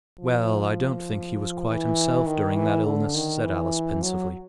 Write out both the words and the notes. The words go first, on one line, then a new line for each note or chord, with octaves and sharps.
"Well, I don't think he was quite himself during that illness," said Alice, pensively.
F3
E3
D#3
E3
D3
D#3
E3
F#3